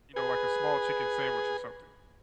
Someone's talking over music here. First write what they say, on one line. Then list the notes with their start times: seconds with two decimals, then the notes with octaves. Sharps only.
you know, like, a small chicken sandwich or something.
0.16 G#4 B4